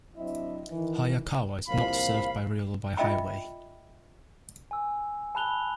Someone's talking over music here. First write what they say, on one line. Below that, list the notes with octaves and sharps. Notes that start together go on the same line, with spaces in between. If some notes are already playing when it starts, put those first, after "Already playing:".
Hayakawa is not served by rail or by highway.
F#3 C4 D4 E4 D#5 E5
D#3 E3
C2 A#2 F3 F5 B5
F4 D#5 E5 G5 B5
G#5 E6
A5 B5 F#6 F7 G7